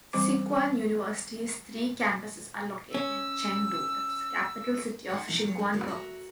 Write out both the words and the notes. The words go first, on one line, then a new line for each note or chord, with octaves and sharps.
Sichuan University's three campuses are located in Chengdu, the capital city of Sichuan Province.
E3 G3 C4 C5 D6
C#4 E6
D#4 C5 F#5
F2 B2 E3 D#4 A#4
F#3 C#5
G#2 G#3 A3 D4
C#3 A#3 E4 F#4 D5
F#4 A#4 B4 E5